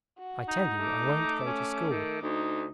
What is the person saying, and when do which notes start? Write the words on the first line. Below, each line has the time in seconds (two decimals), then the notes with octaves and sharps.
"I tell you I won't go to school."
0.18 F#4
0.49 D#4
0.80 A3 D6
1.46 C#4
1.90 D#3
2.22 D2 D#4